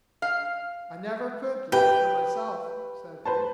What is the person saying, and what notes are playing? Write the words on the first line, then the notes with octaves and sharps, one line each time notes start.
'I never could like her myself,' said he.
F5
G4 B4 G5
B4 C5 A5